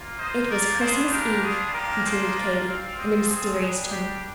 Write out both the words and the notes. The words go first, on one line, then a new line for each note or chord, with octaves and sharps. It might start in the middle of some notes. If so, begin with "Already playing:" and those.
"It was Christmas Eve," continued Katy, in a mysterious tone.
Already playing: A#3 F4
C5 D#5
A#4 D5
G3 D4 F4 G#4 C5
G4 A#4
G#4
A#3 D4 F4 G4 A#4
G#4 C5
A#4 D5
C4 F4 D5 F5
C5 D#5
G#4 C5
G3 D4 G4 G#4
G4